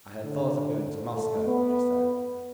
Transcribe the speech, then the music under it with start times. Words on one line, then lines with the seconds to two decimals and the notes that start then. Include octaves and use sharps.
"I had thought of going to Moscow," she said.
0.24 D3
1.15 A3
1.46 B3